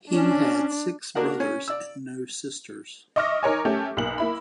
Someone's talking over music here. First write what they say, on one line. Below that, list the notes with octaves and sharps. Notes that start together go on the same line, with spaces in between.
He had six brothers and no sisters.
C#4 D4
A#3 D4 F#4 A#4 F#5
C#4
D5 E6
D#5 E5 C#6 D6 F6 A#6
D#4 A#4 C#5 G#5
A3 C#4 G4
B1 A#3 F#7
A#3 E4 B5